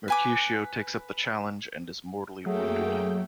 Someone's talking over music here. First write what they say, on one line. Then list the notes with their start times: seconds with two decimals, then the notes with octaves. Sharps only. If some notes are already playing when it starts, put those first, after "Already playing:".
Mercutio takes up the challenge and is mortally wounded.
0.08 B4 G#5 D6
2.46 F#2 F#3 A3 A#3 G#4 G5